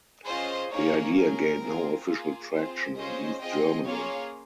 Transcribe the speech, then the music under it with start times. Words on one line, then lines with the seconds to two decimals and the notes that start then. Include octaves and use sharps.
The idea gained no official traction in East Germany.
0.26 C#4 F4 G#4 C5 D#5
0.70 A#3 D#4 G#4 A#4 C#5
1.16 C#4 G#4 A#4
1.61 C4 F4 G#4
2.05 A#3 F4 G#4
2.50 C4 F4 G#4 C5
2.96 C#4 F4 G#4 C5 D#5
3.40 C4 F4 G#4 D#5 G5
3.85 A#3 C#4 F4 G#4 C#5 F5